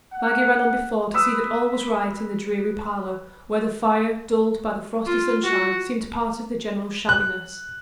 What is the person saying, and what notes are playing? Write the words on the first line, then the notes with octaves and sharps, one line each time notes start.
Maggie ran on before to see that all was right in the dreary parlor, where the fire, dulled by the frosty sunshine, seemed part of the general shabbiness.
F#5
B4 D#6 E6
F4
F#4
F#6